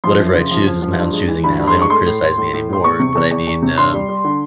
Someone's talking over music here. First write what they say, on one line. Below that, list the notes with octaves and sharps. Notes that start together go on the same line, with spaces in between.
whatever I choose is my own choosing now, they don't criticize me anymore, but I mean, um,
F3 C6
F#2
C#3
F3
F3
F3
G2
G#3
E3
G2 B5
G2
C6
G#3
C#6
A3 C6
A2
A2
A2
A2
A2 C6
E2 C#6
C3
E2
E2
E2
C3
G2 C6
G3
G3
D3